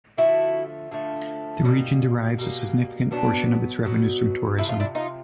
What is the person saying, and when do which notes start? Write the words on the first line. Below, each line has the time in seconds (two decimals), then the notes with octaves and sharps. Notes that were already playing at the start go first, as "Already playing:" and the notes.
The region derives a significant portion of its revenues from tourism.
0.17 D3 F3 A3 E4 F#4
0.91 D3 F3 A3
1.65 B2 G3 A#3 C#4
2.38 B2 G3 A#3
3.11 B2 F#3 B3 D4
3.85 B2 F#3 B3
4.58 C3 F3 A3 E4
4.69 F4
4.80 D4 E4
4.95 D#4 F4